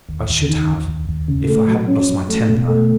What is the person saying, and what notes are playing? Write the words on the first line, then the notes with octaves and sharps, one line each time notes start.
I should have, if I hadn't lost my temper.'
D#2
D#2
D#3
D#2
D#2
D#2
C#3
A3
F#3
C#4
F#3
A3
B2
A3